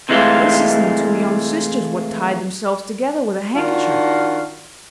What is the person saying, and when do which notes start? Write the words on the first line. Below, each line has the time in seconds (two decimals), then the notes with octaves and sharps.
This is them two young sisters what tied themselves together with a handkecher.
0.09 C3 E3 G#3 A3 F4
3.55 D#3 D4 F4 F#4